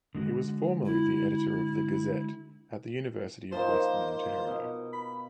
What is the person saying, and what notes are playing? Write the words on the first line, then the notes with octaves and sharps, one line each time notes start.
He was formerly the editor of the "Gazette" at the University of Western Ontario.
D3 G#3 F#4
E4
F3 A#3 D#4 C5
B2
B5